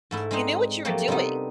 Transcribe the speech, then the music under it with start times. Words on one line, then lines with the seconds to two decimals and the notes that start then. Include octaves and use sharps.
you knew what you were doing.
0.11 G#2 A3 E4
0.31 G#3 C4 D4 D#4 C5
0.85 F3 F#3 A3 A#3 G4
1.08 C3 G3 B3 D4 D#4